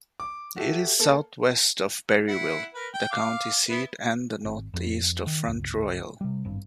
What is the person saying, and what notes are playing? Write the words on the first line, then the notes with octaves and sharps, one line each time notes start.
It is southwest of Berryville, the county seat and northeast of Front Royal.
D6
F#4 G4 A4 E5
A#3 A4
E4 F#5
A#4 B4
G5
F5 D6
B3 E4 B4
G#1
F2
D#3
G1 C#2
C3 G3
G#1 G2